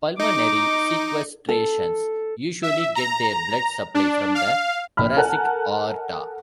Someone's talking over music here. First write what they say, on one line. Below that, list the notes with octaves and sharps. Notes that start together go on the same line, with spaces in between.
Pulmonary sequestrations usually get their blood supply from the thoracic aorta.
D#4 D6
A4
E5
A#5
D4
F5
A#1 B5 F6
A4 A#4 F#5 G#5 A5 F#6